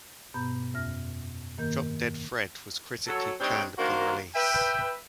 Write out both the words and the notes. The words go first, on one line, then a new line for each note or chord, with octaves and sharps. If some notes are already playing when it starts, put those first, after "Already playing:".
"Drop Dead Fred" was critically panned upon release.
G2 B2 B3 A#5 B5 G6
F2 C#4 E5 F6 A#6
G2 D#3 A#3 A#4 G6
F#3 A4
G3 C4 D4 D#4 C#5 G5
D#3 A#3 D4 F#4 A#4 C5
B4 E5 G5